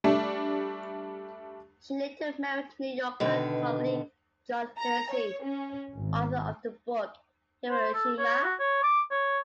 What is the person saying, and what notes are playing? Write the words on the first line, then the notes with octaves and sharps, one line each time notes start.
She later married "New Yorker" colleague John Hersey, author of the book "Hiroshima".
G3 A3 D4
B2 D3 D#3 B4
A#5
C#5
C#4
G#1
C5
A4
C#5
F#4
C#5
D6
C#5